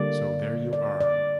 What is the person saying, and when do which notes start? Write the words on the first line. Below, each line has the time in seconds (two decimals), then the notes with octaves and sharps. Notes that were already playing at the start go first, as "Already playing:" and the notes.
So there you are.
Already playing: D3 G3 A#3 D5
0.73 D5
1.01 D5